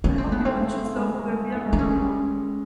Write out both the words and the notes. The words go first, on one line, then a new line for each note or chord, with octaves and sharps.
I hope people choose love over fear more and more.
G#3 C#4
A3 C4
G#3 B3
A3
C4
G#3
A3
G#3
A3
G#3
A3
G#3
A3
G#3
A3
G#3
D4
G#3 C#4